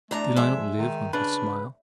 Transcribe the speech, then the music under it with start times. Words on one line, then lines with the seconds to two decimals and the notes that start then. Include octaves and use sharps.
Did I not live on her smile?
0.11 E2 A3 D4 A#5
0.36 F3 G#3 E5
0.78 D#3
1.13 C#3 D4 B4